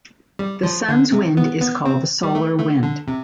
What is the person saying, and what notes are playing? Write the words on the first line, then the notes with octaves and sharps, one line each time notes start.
The Sun's wind is called the solar wind.
G3
F3
D3
C3
B3
B3
C4
G3
A3
A3
D3
C3